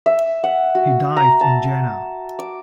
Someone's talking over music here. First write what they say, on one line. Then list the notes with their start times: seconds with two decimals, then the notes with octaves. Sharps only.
He died in Jena.
0.06 E5
0.44 F#5
0.75 F#4
1.17 A#5
1.41 A5
2.39 D6